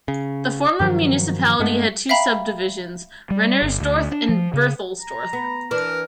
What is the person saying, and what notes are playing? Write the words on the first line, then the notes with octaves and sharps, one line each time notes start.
The former municipality had two subdivisions: Rennersdorf and Berthelsdorf.
C#3
G2 D#3 F3 F#3
G2 G#3 A3 B3
E5 F5 G5 A#5 B5
G3
G1
D2
D4
F3
C#3
A#5
B3
E3 D4 A#4 B4